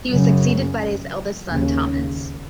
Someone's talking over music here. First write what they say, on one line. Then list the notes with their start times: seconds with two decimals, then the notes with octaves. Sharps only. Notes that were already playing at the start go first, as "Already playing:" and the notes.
He was succeeded by his eldest son Thomas.
0.10 F#2 C#3
1.47 D#2 C#3